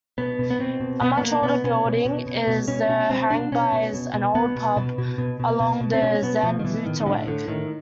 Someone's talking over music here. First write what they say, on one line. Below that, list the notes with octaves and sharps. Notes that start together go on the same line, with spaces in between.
A much older building is the "Haringbuys", an old pub along the Zandvoorterweg.
B2 B3
B2
B3
B2 C4
B2
B2 B3
B3
B2 A#3
B2 B3
B2 C#4
B2
B2
B2
B2
B2 C#4
B2 C#4
B2 C4
B2 D4
B2 C#4
B2
B2
B2
B2 B3
B2
B2
B2
B2
B2
B2
B2
C4
B2 C#4
B2 B3
B2 F3
D#3
B2 E3
A2 D#3
D#3
A2 D3
A2 D3
A2 D#3